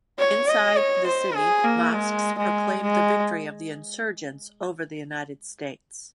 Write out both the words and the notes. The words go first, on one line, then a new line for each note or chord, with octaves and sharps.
Inside the city, mosques proclaimed the victory of the insurgents over the United States.
C#5
D#5
C#5
C5
G#4
A#3
G#3
G#3
G#3